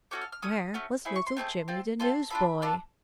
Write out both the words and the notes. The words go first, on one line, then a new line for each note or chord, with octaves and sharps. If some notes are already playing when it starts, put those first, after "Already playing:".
Where was little Jimmy the newsboy?
A3 C#4 F#4 A4 D6
F6
F6
A3 C#4 D#6
A3 C#4 F#4
A3 C4 E4 G#4
C#6
C6
A3 C4 E4 G#4
C4 F4 A4
C4 F4 A4 C6
D4 F4 A4 B5
D4 F4 A4